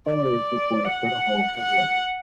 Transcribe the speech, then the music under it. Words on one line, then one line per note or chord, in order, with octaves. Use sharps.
Coleridge was born at Greta Hall, Keswick.
D5
F#5
F#5